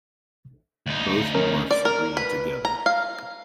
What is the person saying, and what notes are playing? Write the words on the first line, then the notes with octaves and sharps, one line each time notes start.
Both morphs breed together.
D2 D#4
C#4 A#4
D5
A#4
B4
A#5
F5